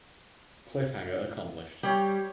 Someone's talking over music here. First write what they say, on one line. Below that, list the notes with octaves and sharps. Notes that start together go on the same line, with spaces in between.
Cliffhanger accomplished.
G3 G4 C#5